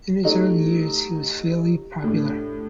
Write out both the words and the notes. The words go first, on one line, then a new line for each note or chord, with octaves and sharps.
In his early years he was fairly popular.
F#3 A3 D#4 G4
A2 A3 D4